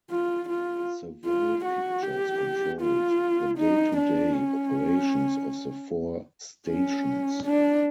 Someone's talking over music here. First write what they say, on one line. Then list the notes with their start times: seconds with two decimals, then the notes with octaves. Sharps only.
Savoy Pictures controlled the day-to-day operations of the four stations.
0.10 F4
0.49 F4
1.25 F4
1.64 F#4
2.03 G4
2.81 F4
3.58 D#4
3.97 D4
4.35 C#4
6.68 C#4
7.45 D4